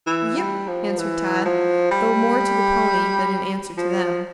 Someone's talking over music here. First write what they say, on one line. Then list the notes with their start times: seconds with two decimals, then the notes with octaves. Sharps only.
"Yip!" answered Tad, though more to the pony than in answer to them.
0.06 E3
0.37 G3
0.67 F3
0.99 E3
1.46 F3
1.91 G3
3.77 F3